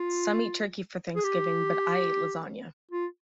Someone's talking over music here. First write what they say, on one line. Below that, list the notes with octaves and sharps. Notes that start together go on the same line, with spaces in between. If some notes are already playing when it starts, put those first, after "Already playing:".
Some eat turkey for Thanksgiving, but I ate lasagna.
Already playing: F4
G#4
G4
F4